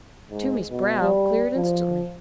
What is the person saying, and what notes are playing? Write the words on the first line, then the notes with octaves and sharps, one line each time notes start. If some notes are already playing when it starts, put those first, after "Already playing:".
Toomey's brow cleared instantly.
G#2
B2
G3
F3